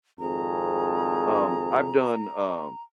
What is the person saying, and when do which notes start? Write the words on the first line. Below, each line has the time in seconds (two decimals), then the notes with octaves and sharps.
Um, I've done, um
0.19 G#1 F2 G#4 A#5